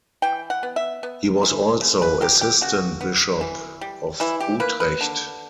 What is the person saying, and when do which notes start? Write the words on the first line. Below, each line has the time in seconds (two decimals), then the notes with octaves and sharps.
He was also assistant bishop of Utrecht.
0.22 E3 G5
0.50 F#5
0.63 B3
0.76 E5
1.03 B3
1.43 E3
1.81 C#3
2.02 B4
2.21 F#3 G4
2.41 G4
2.61 C#3 F#4
3.01 B3
3.41 E3
3.81 G3
4.20 E3 E4
4.40 G4
4.60 A#3 B4
4.80 B4
5.01 D3